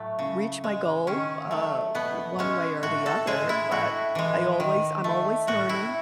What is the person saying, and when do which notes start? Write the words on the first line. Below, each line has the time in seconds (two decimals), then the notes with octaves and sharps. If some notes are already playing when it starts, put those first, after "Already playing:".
reach my goal, uh, one way or the other, but I always I'm always learning,
Already playing: A2 F#3 A3
0.19 C#3
0.64 G#3
1.07 D#3 C#4
1.51 F#3 A3
1.95 B2 B3
2.39 G#3 C#4
2.83 A2 F#4
3.06 A4
3.27 G#3 G#4
3.49 E4
3.71 A2 F#4
4.15 E3 G#3
4.60 D#3
5.04 A3
5.47 A2 F#4
5.69 E4